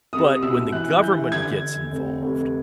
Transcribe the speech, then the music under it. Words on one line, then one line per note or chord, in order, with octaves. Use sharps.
but when the government gets involved,
C2 D#6
D#6
B2 E6
E3 F#6
E3 G6
D3 G#6
D3
F1
F1